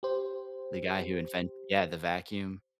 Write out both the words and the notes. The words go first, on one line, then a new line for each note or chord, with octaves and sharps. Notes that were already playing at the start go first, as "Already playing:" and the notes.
the guy who inven Yeah, the vacuum.
G4 C5